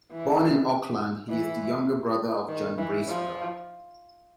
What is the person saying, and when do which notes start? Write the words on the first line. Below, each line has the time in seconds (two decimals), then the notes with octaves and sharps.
Born in Auckland, he is the younger brother of John Bracewell.
0.11 E3
1.30 E3
2.48 D#3
2.78 E3
3.07 F3